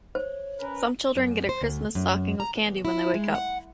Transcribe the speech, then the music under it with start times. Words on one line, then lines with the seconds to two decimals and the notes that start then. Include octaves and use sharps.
Some children get a Christmas stocking with candy when they wake up.
0.15 C5 C#5
0.59 C#4 A#4 B4
1.16 F#2
1.49 C5
1.61 D2
1.95 F#2
2.40 A#5
2.56 E2
2.85 E4
3.14 G#3
3.35 F#5